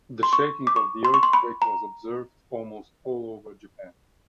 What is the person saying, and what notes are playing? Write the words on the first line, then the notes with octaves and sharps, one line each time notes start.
The shaking of the earthquake was observed almost all over Japan.
C6
C#6
D6
C#6
C6
C#6
C6
B5
A#5